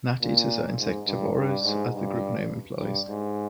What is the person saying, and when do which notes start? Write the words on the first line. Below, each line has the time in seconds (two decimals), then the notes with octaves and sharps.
Gnateaters are insectivorous as the group name implies.
0.22 A#2
0.79 G#2
1.07 G2
1.36 G2
1.65 G#2
1.94 G2
2.79 G2
3.08 G#2